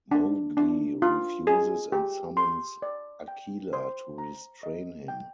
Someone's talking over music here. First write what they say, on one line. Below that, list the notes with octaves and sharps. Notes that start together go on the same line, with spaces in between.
Mowgli refuses, and summons Akela to restrain him.
D4
D4
F4
G#4
G4
C6
D5
G5
C5
A#5
D#5
G5